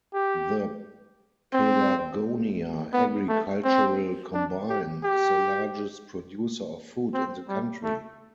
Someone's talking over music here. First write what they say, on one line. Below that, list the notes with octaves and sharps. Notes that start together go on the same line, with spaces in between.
The Pelagonia agricultural combine is the largest producer of food in the country.
G4
C4
B3
A3
C4
D4
G4
G4
C4
G3
A3